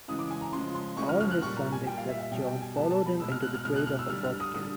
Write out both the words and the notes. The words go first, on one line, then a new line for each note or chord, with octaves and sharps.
All of his sons except John followed him into the trade of apothecary.
C#3 E3 G#3 D#6
D6
G#5
A#5
C#3 F3 G#3 C6
C6
C#3 F3 G#3 C#6
F6
F6
F#6
A#2 G3 C#6
A#5
G#5
A#2 G3 G5
F5
E5
E5
B2 G3 G5
G5
G#5
B2 G3 A5
A5
B5
B2 G#3 E6
F6
F#6
F6
B2 G#3 F6
F#6
F6
E6
D3 G3 F6
F6
D#6
D3 G3 D#6